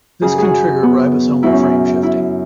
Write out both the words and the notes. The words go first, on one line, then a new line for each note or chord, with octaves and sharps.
This can trigger ribosomal frameshifting.
F#2 C#3 F#3 G#4
F#4 G#4
B3
F#2 F#3 E4
C#4
E4
E4